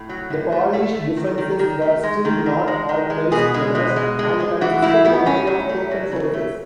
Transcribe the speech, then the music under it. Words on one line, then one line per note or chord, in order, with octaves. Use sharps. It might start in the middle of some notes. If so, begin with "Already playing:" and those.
The Polish defences were still not organised enough and consisted only of token forces.
Already playing: A2
F#3
A2
A3
A3 A4
A3
D#3
D#3
D#3
A3
G#3
D#3
D#3
G#3
D#3
G#3
B2 G#4
G#3
B2
G#3
G#3
G#3
E3 F#4
A2 E4
A2 B3
A2 C#4
A2
A3
F#3
C#3
A3